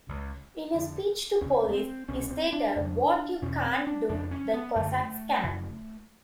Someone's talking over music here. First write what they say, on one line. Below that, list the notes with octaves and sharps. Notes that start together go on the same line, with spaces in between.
In a speech to police he stated, What you can't do, the Cossacks can.
C#2 C#3
F2 D3
D#2 C#3 C#4
B3
C4
C2 B2 C#4
C4
D4
F2 C#3
E2 B2 C#4
C4
D4
F2 C#3 D4
C#4
B3
F#2 D3 A3
F#2 C#3